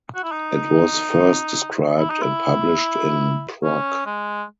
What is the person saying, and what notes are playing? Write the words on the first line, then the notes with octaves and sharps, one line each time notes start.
It was first described and published in Proc.
F#4
E4
D#4
E4
D#4
E4
C#4
G#3